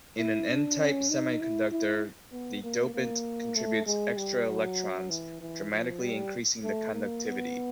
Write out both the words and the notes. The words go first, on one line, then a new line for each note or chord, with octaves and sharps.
In an n-type semiconductor, the dopant contributes extra electrons, dramatically increasing the conductivity.
E4
D4
C#4
D#4
E4
E4
B3
A#3
A#3
A3
G#3
G3
F#3
E3
E3
F3
G3
A3
A#3
B3